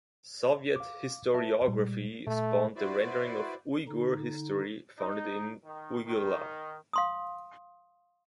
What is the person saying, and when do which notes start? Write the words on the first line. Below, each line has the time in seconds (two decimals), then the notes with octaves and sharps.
Soviet historiography spawned the rendering of Uyghur history found in Uyghurlar.
0.76 F5 D6
1.34 B4 E5 A5
1.68 A#2 G3
2.27 A#2 A3
2.76 E4 F#4 B4 C5 D5
3.88 D3 D#4
4.99 D#4
5.64 D#3
6.06 D#3
6.93 F5 C6 D#6